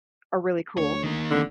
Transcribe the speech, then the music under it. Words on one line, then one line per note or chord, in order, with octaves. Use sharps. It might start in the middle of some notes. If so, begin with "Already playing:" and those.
are really cool.
D2 C#5
D#3 A#3
F1 D3